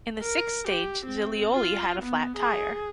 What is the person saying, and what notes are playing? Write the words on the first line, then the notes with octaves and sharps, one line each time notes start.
In the sixth stage, Zilioli had a flat tire.
A#4
G4
C4
F4
B3
G#4